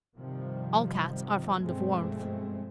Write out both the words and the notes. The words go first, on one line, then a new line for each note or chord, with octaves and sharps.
All Cats are fond of warmth.
G2 C3 D#3 F3 G3
G2 B2 F3 G#3 A3 C4